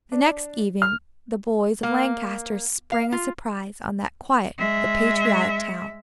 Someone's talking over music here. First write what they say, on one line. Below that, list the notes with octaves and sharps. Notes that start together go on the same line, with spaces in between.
The next evening the boys of Lancaster sprang a surprise on that quiet but patriotic town.
D4
F6
A#3
F5
F4
G#3 E5